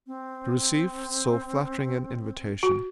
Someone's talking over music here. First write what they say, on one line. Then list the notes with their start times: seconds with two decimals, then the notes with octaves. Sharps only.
To receive so flattering an invitation!
0.07 C4
2.63 F#4